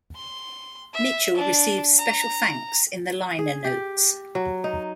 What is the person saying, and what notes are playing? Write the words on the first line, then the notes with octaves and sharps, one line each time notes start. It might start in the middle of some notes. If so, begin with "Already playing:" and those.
Mitchell receives special thanks in the liner notes.
C6
E5
D4
A#5
G#4
G4
F#3
D#4